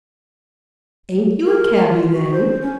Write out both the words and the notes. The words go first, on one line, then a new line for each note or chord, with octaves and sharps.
"Ain't you a cabby, then?"
A#4
F4
F#4
C5
C#4